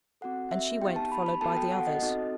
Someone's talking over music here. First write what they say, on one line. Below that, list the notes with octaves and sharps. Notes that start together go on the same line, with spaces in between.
And she went, followed by the others.
C4 F#4 A4 F#5
E5
B3 D#4 G4 G5
A5
B5
B5
B3 F#4 A4 A5
G5
F#5
D#5
C4 D#4 F#4 A4